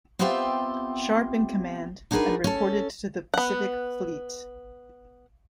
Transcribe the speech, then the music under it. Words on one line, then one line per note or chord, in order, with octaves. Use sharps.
Sharp in command; and reported to the Pacific Fleet.
B3 C4 F4 G4 E5 G5
D4 D#4 F#4 G#4 A#4 B4
C#4 A4
B3 F#5